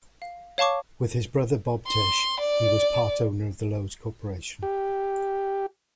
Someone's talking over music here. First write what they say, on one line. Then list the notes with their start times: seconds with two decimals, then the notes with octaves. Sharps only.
With his brother Bob Tisch, he was part owner of the Loews Corporation.
0.22 F5
0.58 C#5 F5 A5 C#6 D6
1.87 C6
2.40 D5
4.63 G4